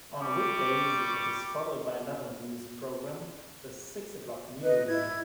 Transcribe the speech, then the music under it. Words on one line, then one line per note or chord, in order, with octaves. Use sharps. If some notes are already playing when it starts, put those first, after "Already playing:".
On weekdays it is followed by another news programme, the "Six O'Clock News".
G3 C#6 D6
B4 D#5
E4 G#6